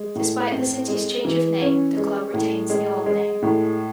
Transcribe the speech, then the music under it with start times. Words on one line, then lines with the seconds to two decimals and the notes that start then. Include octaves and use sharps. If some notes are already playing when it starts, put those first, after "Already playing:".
Despite the city's change of name, the club retains the old name.
Already playing: G#3
0.15 A2
0.51 C4
0.88 G#3
1.25 E3
1.61 C#4
1.97 G#3
2.34 A2
2.70 G#3
3.06 G#3
3.42 A2